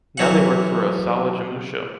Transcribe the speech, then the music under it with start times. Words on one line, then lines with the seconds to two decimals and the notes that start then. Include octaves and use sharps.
Now they work for Ohsawa Jimusho.
0.18 E3 F#3 F#5